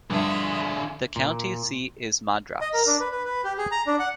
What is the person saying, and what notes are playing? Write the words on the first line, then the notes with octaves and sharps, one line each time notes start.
The county seat is Madras.
G2 D3 F4 G#4 E5
A#2
D#5
A#4
D4
B4
B4
B4
G4
G#4
A#5
D4
F#5